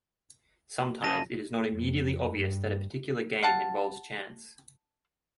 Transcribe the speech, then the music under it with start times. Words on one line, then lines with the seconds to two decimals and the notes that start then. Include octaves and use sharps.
Sometimes it is not immediately obvious that a particular game involves chance.
1.04 F#2 C#3 A5 A#6 D#7
1.70 F2
2.35 G2
3.43 F5 F#5 A5